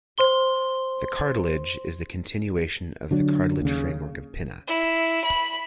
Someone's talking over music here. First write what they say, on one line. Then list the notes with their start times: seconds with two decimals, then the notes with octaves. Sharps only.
The cartilage is the continuation of the cartilage framework of pinna.
0.18 C5 C6 G7
3.11 D3 F#3 C4 D4
3.61 D#2 C#3
4.67 E4
5.24 B5